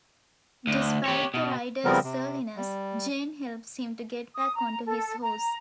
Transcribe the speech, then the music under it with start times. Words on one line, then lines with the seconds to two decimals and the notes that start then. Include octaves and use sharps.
Despite the rider's surliness, Jane helps him to get back onto his horse.
0.67 D2
1.06 G4 C#5
1.34 B2
1.85 C#3 F3 G3 B3 C4 A#4
2.04 C3
2.57 G3
4.34 D#6
4.55 A#5
4.84 A4
5.21 A#5